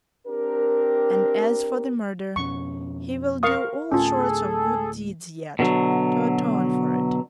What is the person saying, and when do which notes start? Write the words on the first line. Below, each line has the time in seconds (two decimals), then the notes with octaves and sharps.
And as for the murder, he will do all sorts of good deeds yet, to atone for it.
0.27 C4 D4 G4 A#4
2.36 F2 B2 C#4 C#6
3.43 A#4 F5 C#6 D#6 C#7
3.92 D2 A2 C#4 F4 G#4 A4
5.59 B2 D3 F3 F#3